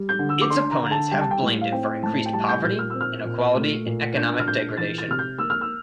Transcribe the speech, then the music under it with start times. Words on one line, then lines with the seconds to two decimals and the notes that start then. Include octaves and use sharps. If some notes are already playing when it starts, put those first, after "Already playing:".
Its opponents have blamed it for increased poverty, inequality and economic degradation.
Already playing: G3
0.09 G6
0.19 D3
0.29 E6
0.41 D6
0.50 D4 C6
0.71 A#5
0.81 D3
0.91 A5
1.11 G3 G5
1.21 A5
1.31 G5
1.42 A2
1.61 F5
1.72 C4 G5
2.03 A2 A5
2.26 G5
2.33 G3 A5
2.49 G6
2.64 A#2 G6
2.79 F6
2.90 C4 E6
3.01 F6
3.25 A#2
3.56 A3
3.86 A#2
4.16 D4 G6
4.40 F6
4.48 A#2 G6
4.77 E3 A6
4.98 A6
5.08 C3 F6
5.19 G6
5.38 A#3 E6
5.50 F6
5.61 E6